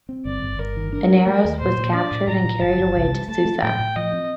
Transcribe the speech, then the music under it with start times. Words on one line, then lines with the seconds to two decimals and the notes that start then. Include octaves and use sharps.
Inaros was captured and carried away to Susa.
0.09 C4
0.25 G1 D5
0.42 G1
0.59 G1 A#4
0.77 D#3
0.93 D4 A#4
1.10 G3
1.27 A3
1.44 D#2
1.60 A#2 C5
1.78 A#2
1.94 D4 D5
2.11 A2
2.28 A2 A#5
2.45 A2
2.61 G1 A5
2.78 G1
2.96 C2
3.12 G3
3.29 A3 A5
3.45 A3
3.63 A2 G5
3.80 A2
3.96 F3 D#5
4.13 C4